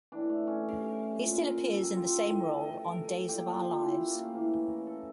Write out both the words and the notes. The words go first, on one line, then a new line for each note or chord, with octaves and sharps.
He still appears in the same role on "Days of Our Lives".
A2 E3 D4
A3
C#4
A#2 F3 A4
A#4
A#4
A4
G4
F4
A4
A2 E3 G4
A4
A4
A4
A#4
A4
A#2 F3 G4
F4
E4
C#4
A#3
A3
A2 E3 A#3
C#4
A#4
A4